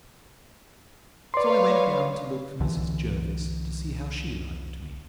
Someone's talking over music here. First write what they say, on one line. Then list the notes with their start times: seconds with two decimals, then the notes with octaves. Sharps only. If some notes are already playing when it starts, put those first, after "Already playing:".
So I went down to look for Mrs. Jervis, to see how she liked me.
1.34 B4 C#5 D5 F5 C6
2.60 C2 D3 E3